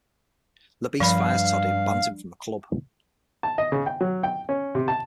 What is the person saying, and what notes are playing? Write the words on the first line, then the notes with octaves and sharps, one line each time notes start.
Labisse fires Toddy and bans him from the club.
G2 F3 F5 B5
A5
D#5
C#3
G5
F#3
G5
C#4
C3
A5